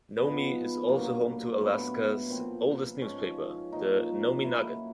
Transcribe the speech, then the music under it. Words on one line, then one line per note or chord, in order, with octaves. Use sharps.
Nome also is home to Alaska's oldest newspaper, the "Nome Nugget".
G#2 F3 B3
G2 D3 F#3 A#3
A2 F#3 B3
A#2 F3 C4
G#2 F3 C#4
A#2 F3 D#4
A#2 F#3 E4